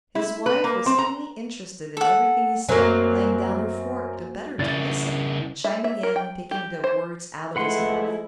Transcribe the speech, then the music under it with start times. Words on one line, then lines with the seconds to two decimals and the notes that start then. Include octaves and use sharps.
His wife was keenly interested in everything he said, laying down her fork the better to listen, chiming in, taking the words out of his mouth.
0.15 E4
0.46 B4
0.64 A#3
0.86 C4
0.98 A#5
1.97 A4 F#5
2.69 F#2 F#3 A#3 C4 A#4
4.59 C#3 E4 D5 A6
5.64 E5
5.84 E5
6.03 A#4
6.16 G5
6.51 G4
6.84 C5
7.56 F3 G#3 A3 E4 B4 F#5 C6